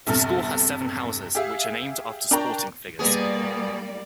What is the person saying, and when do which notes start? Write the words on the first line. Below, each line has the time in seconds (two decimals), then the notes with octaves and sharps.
The school has seven houses, which are named after sporting figures.
0.07 A#1 E2 G2 C3 A4 F6
1.35 G4 G#4 E5 F5
2.31 D4 A#4 G5 A5 A#5 C#6
2.99 B2 G3 A#3 B3 G#4 D5